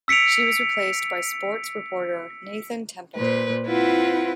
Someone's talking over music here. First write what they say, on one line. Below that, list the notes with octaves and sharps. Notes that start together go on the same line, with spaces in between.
She was replaced by sports reporter Nathan Templeton.
E6 B6 C#7 D7 F7
A#2 B4 C5
C4 E4 F4 B4 F#5